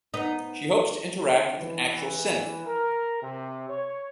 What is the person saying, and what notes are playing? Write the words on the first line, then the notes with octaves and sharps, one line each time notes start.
She hopes to interact with an actual synth.
B3 D#4
E3
A#4
C3
C#5